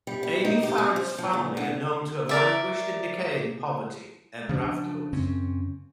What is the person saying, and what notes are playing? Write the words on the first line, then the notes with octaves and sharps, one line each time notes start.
Amy Farrant's family are known to have languished in decay and poverty ever afterwards.
G3
G3
D#4
G4
C#4
C5
F3
A#2
D3
A#4 D5 E5
C#3 F3 C4 D4
F#2 C#3 C4 C#4